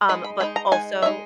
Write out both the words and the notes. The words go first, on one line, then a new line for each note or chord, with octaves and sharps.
Um, but also
G#3 D#4 B5
B5
G#3 D#4 B5
A#5
G#3 D#4 G#5
G#3 D#4 E5